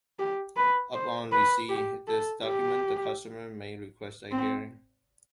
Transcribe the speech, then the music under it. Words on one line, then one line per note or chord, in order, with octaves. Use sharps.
Upon receipt of this document, the customer may request a hearing.
G4
B4
C5
B4
G4
A4
G4
C4